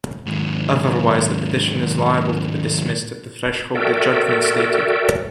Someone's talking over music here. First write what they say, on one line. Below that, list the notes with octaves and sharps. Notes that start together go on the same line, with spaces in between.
Otherwise the petition is liable to be dismissed at the threshold, the judgment stated.
D#2 G#2
F#4 A4 A#4 D5 E5 G5